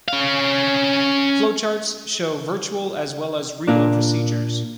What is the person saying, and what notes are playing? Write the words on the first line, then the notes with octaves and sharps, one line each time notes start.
Flowcharts show virtual as well as real procedures.
C#4 F5
A#2 A#3 D4